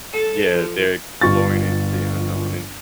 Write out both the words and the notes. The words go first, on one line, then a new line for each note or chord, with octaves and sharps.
Yeah, they're exploring into the unknown in
A4
F3
G1 F4 C#6 A6